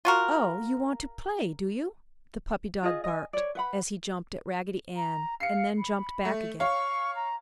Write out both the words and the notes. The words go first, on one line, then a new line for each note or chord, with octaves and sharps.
"Oh, you want to play, do you?" the puppy dog barked, as he jumped at Raggedy Ann and then jumped back again.
F4 F#4 A#4
F4 G#4 D#5
D#5 G#5
C#5 D5
B4 F#5 B5
A#5
F5 C7 C#7
B5
A3
C#5 F5 C#6
A#5